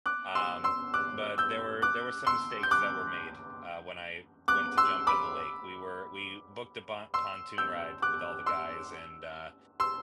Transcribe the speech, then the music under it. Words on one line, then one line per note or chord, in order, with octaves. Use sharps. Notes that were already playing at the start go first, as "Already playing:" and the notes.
Um, but there were there were some mistakes that were made, uh, when I went to jump in the lake. We were we booked a bon pontoon ride with all the guys, and, uh,
D6 F#6
C6 E6
C6 E6
D6 F#6
E6 G6
D6 F#6
C6 E6
G6
D6 F#6
D6 F#6
C6 E6
B5 D6
C6 E6
E6 G6
D6 F#6
C6 E6
C6 E6